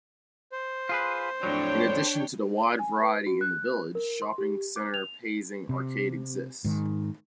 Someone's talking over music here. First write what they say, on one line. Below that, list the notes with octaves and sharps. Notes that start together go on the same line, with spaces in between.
In addition to the wide variety in the village shopping center Pasing Arcade exists.
C5
F4 G#4 B4
F2 A2 F#3 D4 C#5 G5
G#5
B4
F#4
F#6
A#4
C6
G4
D6
F7
C3
G#2 D#3